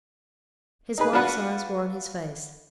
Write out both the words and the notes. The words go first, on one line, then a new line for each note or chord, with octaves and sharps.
His wife's eyes were on his face.
D#4 G#4 B4
D4 F4 F#4 B4